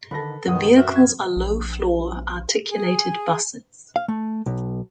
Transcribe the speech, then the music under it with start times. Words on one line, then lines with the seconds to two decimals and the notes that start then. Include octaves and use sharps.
The vehicles are low-floor, articulated buses.
0.11 D3 D#3 A4 B4 B5 A#6
0.47 F#2 B2 D#3 B3 F#5 D#6
0.77 F#4 E5 F6
0.96 G#6
1.37 A#1
2.72 G#4
3.96 F5
4.08 A3
4.46 B1